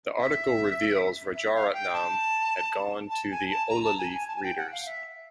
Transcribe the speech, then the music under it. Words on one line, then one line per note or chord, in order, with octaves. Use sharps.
The article reveals, Rajaratnam had gone to the ola-leaf readers.
E5
E5
F5
G5
A5
A5
G#5
A5
A#5
A5
G#5
G#5
A5
G#5
G5
F#5
F5
E5